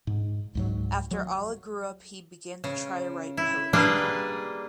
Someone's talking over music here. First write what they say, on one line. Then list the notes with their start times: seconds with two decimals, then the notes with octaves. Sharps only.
After Ala grew up he began to try to write poetry.
0.07 G#2
0.55 C#2 G#2 F#3
1.11 F#3
2.64 C#3
3.37 E4
3.73 G3 A#3 D4 G#4 B4 D#5